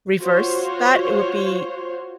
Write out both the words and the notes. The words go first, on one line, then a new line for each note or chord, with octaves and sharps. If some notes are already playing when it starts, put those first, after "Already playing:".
reverse that, it would be
F4 F#4 C5 C#5